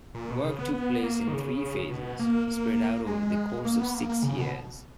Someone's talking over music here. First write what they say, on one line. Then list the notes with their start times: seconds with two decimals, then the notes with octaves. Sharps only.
Work took place in three phases spread out over the course of six years.
0.15 A#2
0.30 B2
0.44 C#3
0.59 B3
0.74 B3
1.03 A#3
1.28 D#3
1.32 C#3
1.90 B2
2.19 A#3
2.48 A#3
3.06 G#3
3.65 A#3
3.80 B3
3.94 A#3
4.09 A#3
4.23 C#3
4.38 B2